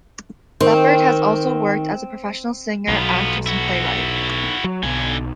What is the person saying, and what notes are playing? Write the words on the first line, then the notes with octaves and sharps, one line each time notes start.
Leppard has also worked as a professional singer, actress, and playwright.
D#3 C4
B1 B3 F4
E4 F#4
F#3
B1 D3 G#5